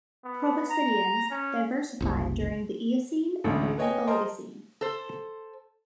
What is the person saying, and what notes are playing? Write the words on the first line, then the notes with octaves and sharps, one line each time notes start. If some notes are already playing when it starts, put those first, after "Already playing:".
Proboscideans diversified during the Eocene and early Oligocene.
B3
A#5
C#4
F#1 C2
A1 D2 G#3 A3
B4 C#5 D#5 G5 G#5
A#4 C5 D#5 A5 C6
A4 C5